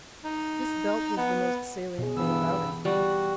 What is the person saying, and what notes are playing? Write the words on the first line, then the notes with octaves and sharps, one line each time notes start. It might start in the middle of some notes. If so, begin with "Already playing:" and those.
This belt was the most salient thing about him.
D#4
B3
B2 G#4
G2 E3 B3 E6
G3 F#4